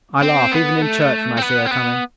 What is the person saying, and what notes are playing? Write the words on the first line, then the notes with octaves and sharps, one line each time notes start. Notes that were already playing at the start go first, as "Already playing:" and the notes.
I laugh, even in church, when I see her coming.
C4
B3
A3
C4
B3
C4
B3